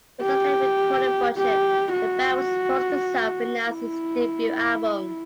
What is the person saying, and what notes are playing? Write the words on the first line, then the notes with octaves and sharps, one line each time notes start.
Without a recording budget, the band was forced to self-finance its debut album.
G4
G4
F#4
E4